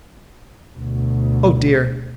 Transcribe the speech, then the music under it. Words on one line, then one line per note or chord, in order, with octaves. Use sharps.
Oh! dear.
D2 B2